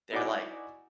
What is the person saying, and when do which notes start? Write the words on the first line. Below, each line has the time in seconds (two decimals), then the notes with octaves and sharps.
they're like,
0.12 D#4 E4 F#4 D5 G#5 D6